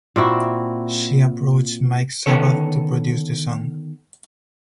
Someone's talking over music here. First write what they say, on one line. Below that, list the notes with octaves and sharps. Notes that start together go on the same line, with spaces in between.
She approached Mike Sabath to produce the song.
A#2 C4 E4 F#4
D3 D#3 B3 C#4 A4 C#5